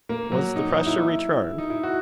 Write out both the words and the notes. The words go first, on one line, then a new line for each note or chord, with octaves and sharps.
Was the pressure returned?
A#3
F#3
D#4
D#4
E4
D#4
E4
F#4